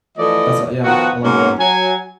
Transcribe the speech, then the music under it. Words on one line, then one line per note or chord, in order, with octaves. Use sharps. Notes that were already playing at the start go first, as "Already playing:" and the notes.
that's a yeah, I like that.
E3 F3 A3 D5 D#5
D#3 F3 B3 F#4
G#2 B2 F#3 A#3 C#4
F#3 G#5